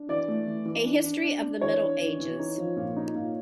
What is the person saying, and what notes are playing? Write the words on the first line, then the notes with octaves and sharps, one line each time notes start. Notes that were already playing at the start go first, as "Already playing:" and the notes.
A history of the Middle Ages.
Already playing: D4
E3 D5
A3
E3
E3
D4
D4
D4
D4
E3 C#5
D4
E3
E3
D#4
F3
A#2
D#4
A#2